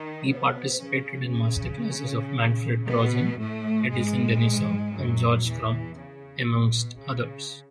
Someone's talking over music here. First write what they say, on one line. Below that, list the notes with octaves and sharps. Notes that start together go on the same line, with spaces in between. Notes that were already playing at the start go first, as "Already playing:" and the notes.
He participated in masterclasses of Manfred Trojahn, Edison Denisov and George Crumb, amongst others.
Already playing: D#3 D#4
B2 B3
C#3 C#4
C#3 C#4
B2 B3
A2 A3
G#2 G#3
F#2 F#3
E2 E3
C#3
B2
C#3